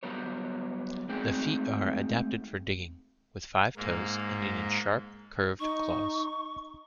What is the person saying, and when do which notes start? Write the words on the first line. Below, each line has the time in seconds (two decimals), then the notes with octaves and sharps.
The feet are adapted for digging, with five toes ending in sharp, curved claws.
0.03 F#3 G3 B3 A#4 C#5
1.09 G#3 A3 C4 D#4 G#4 G5
3.77 G#2 A#3
5.60 D#4 C#6